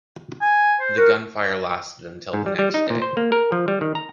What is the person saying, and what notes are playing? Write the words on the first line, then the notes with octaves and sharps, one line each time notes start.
The gunfire lasted until the next day.
G#5
C5
F#4 A#4
G#2
G3
G3
D#4
A#2
C5
A#3
A#4
F3
G3
D#3
A#5